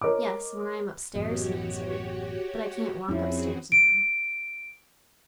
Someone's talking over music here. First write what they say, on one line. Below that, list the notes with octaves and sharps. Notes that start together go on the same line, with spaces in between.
'Yes, when I am up-stairs,' he answered; 'but I can't walk up-stairs now.'
A#4 C#5 D#5 D6
A1 F#2 B2 F#4 G4 C#5 D#5
F2 F3 C4 C#4 E4 F#4 G#4
D7